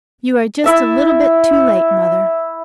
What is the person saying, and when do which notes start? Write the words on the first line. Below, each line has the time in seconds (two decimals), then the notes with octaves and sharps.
You are just a little bit too late, mother.
0.64 E4 E5 A5